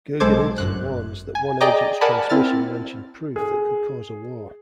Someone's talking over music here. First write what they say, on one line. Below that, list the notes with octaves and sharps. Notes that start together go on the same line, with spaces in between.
Gurgenidze warns that one agent's transmission mentioned proof that could cause a war.
B1 G#3 A4 C5 D6 G#6
G1 F#2 F#6
G#5
G#4 D5 D#5 G5 A#5 D6
A#4 D5 F#5 G#5 A5 B5
C4 E4 F6 A6
G#4